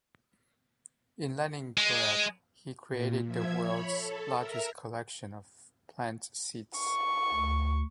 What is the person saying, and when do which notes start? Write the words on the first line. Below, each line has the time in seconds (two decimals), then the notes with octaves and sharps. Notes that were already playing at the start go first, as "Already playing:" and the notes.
In Leningrad, he created the world's largest collection of plant seeds.
1.78 G#3
2.90 A#2
3.26 F3 E5 G#6
3.60 C#5 B5
3.91 A4
4.37 A#4 E5 A#5
6.79 C#6
7.34 D2